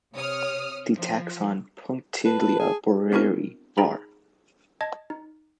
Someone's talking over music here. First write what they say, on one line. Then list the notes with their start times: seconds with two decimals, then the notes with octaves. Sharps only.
The taxon "Punctelia borreri" var.
0.15 C3 C#5 D#6 F6
0.97 F3
2.25 B4 A5
2.59 G#4
3.12 B3 C4 D4 E4 F#4 A#4
3.77 D#4 G#4 A#5 B5
4.81 D#5 A5 G#6
5.10 D#4